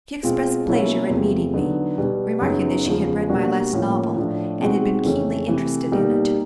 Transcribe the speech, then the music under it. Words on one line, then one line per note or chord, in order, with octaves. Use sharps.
She expressed pleasure at meeting me, remarking that she had read my last novel, and had been keenly interested in it.
B2 G#3 C4 F4
B2 F#3 A#3 C#4 E4
E2 C3 F3 A3
D3 F#3 B3 D#4
B2 G3 B3
F#2 C#3 F#3 B3 D#4
E2 C#3 F3
B2 G3 A#3 D4 F#4
A2 F3 A#3 C#4 F4
A2 F3 A3 D4
B2 G#3 C4 D#4 F#4
F2 C#3 E3 A3 C#4
C3 E3 A3
B2 G3 A#3 D#4